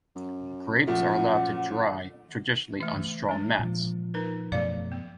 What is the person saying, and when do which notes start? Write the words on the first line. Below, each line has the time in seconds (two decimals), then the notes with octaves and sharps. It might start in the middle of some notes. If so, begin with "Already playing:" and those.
Grapes are allowed to dry, traditionally on straw mats.
0.16 F#2
0.87 A#2 F3 A3 F#5
2.80 E3 A3
3.29 G#3 D4
3.59 A#2 F3
4.14 D#4 A#4 B4
4.52 F#2 B2 F3 A3 D5 F5
4.92 B3